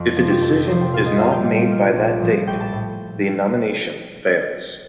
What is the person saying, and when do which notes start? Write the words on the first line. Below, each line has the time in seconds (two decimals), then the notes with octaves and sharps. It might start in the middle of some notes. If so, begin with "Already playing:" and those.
If a decision is not made by that date, the nomination fails.
Already playing: F2
0.16 C3 F3 A3 C4
0.30 G4
0.42 F2 A4
0.68 C3 F3 A3 C4 C5
0.81 G5
0.93 A#2 F5
1.06 D#5
1.19 G3 A#3 F4 F5
1.32 G5
1.44 A#2 F5
1.70 G3 A#3 F4
1.96 A#1
2.20 A2 F3 A3
2.47 A#1 G5
2.60 A5
2.72 A2